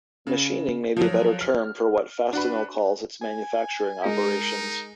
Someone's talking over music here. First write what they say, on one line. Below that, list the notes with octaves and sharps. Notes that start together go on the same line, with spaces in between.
Machining may be a better term for what Fastenal calls its "manufacturing" operations.
C#3
F3 F#3
F6
D4 F#4 B4
G#5
G#3 D#4 A#4 D#5